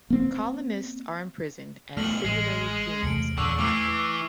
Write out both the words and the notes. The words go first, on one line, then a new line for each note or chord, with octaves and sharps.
Colonists are imprisoned as "simulated humans" on arrival.
A#3 C4
B1 G2 A3 F6 F#7
A1 G#3
E2 C3 A3 C#7 D7
E2 A#2 D3 C#6 E6
E3 A3 D6 F6 C7